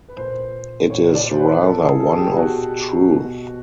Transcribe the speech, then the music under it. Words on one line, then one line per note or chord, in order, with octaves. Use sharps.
It is rather one of "truth".
B4
A#2 C5
A#2 C#5
D5
C5
B4
B2 A4
G#4
A4
G#4
G4
B2 F#4
B2